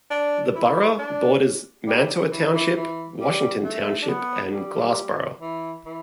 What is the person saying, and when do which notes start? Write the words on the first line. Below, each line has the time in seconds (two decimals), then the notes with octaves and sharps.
The borough borders Mantua Township, Washington Township and Glassboro.
0.10 D4
0.55 E4
0.98 D4
1.87 G3
2.31 E3
2.54 E3
2.76 E3
3.21 G3
3.64 A3
4.02 D4
4.09 B3
4.52 G3
5.40 E3
5.86 E3